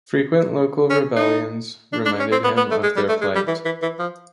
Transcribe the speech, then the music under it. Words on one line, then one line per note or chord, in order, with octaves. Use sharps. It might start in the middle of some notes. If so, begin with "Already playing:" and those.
Frequent local rebellions reminded him of their plight.
C#4
D#4
D4
D4
C#4
C4
B3
B3
A3
G#3
G3
A3
G#3
G3
E3
E3
E3
F3